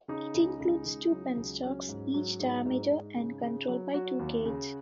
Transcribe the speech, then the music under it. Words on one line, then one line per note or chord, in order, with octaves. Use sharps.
It includes two penstocks, each diameter and controlled by two gates.
C#3 D#4
C#2
C#2
C#2
F#3
C#2
F#3 C#4
G#2
F#3
G#2 D#4
G#2
G#2
C#3
C#3
F#3
F#3 F#4
D#2
C#3